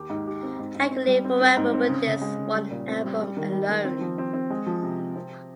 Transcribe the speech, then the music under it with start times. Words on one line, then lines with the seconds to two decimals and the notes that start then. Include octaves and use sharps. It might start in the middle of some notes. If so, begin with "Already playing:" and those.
I could live forever with this one album alone.
Already playing: D#2 G4
0.10 G#2
0.26 G4
0.43 C4
0.59 G#2
0.75 G#2
0.91 C4
1.07 G3
1.25 C4
1.41 C4
1.57 G#2
1.73 C4
1.89 C#3
2.06 C#3
2.21 G#3
2.38 C#3
2.54 G3
2.71 A#2
2.88 C4
3.04 G3
3.20 G3
3.37 D#3
3.52 G3
3.69 D#3
3.85 C4
4.01 F3
4.18 C4
4.34 C4
4.50 G#3
4.67 F3
4.82 C3
4.99 C3
5.16 C4